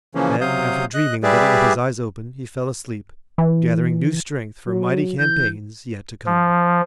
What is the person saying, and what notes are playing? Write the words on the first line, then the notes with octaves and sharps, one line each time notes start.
Then after dreaming a little with his eyes open he fell asleep, gathering new strength for mighty campaigns yet to come.
C#3 E3 F3 A#3 C#4
C3 F#3 F5 D#6 G6
D#5 F#6
G3 G4 G#4 B4 D5 E5
E3
F#3
E3 G6
F3